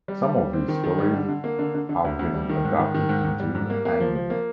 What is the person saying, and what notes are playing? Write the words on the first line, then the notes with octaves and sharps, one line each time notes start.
Some of his stories have been adapted into anime.
G3
G3
G3
C4
D#3
D#3
G3
D3
D3
A#3
D3
D3
D3
D2
D2
G3
D#3
G#2
D#3
D#3
G#2
G#2
G3
G#2
A#3
A#3
F3
F3
A#3